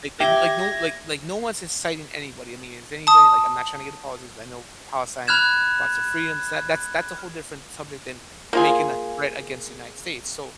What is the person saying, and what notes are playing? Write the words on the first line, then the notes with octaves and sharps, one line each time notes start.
like like like no like like one's inciting anybody. I mean, if anybody like, I'm not trying to get to politics, but I know Palestine wants their freedom, so that that's a whole different subject than making a threat against the United States, so,
G4 E5 G#6 A#6
A5 D#6
B5 F6 F#6 G#6 E7
A#3 F4 G#4